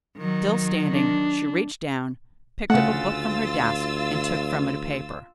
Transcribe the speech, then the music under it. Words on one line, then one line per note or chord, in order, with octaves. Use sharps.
Still standing, she reached down, picked up a book from her desk and took from it a paper.
D#3 F#3
D4
D2 C#3 A3 F4 F#5 E6 A6